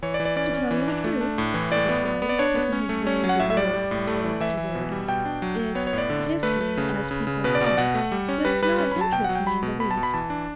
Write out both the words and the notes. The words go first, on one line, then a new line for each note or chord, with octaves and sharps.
'To tell you the truth,' he replied, picking his way as it were from word to word, 'it's "history," as people call it, does not interest me in the least.
E3 C#5
D5
E3
D5
C#4 D5
C#4
E3
D4
A3
D4
A2
E3
A2 D5
B3
B3
B3
D5
D4 C#5
B3
C#4
A3
C#4
F#3
F#5
A2 E5
E5
G3 D5
G3
A2
A3
E3
E3 E5
E3
B2
G3
B2 G5
D4
F#3
F#3
B3 C#5
C#5
A2 D5
D3
D3
A3 B4
A3
C#3
C#3
C#3
C#3
B2 B4
D5
B2
D5
B2 F#5
A3
G3
C#4
G3 B4
G3 B4
C#4 B4
F#3 B5
A5
B2 G5
F#3 F#5
G5
F#3 B5
B2
B2 B5
A5
B2
B5
E3 A5
D4